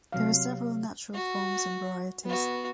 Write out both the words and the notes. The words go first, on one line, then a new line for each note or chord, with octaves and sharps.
There are several natural forms and varieties.
C3 F#3 F5
F#4
B3 F#4